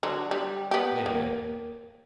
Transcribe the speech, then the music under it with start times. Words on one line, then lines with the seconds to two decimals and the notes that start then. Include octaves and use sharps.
Wait a bit....
0.03 D3 F#3
0.31 G3
0.71 B3 G4
1.06 A#3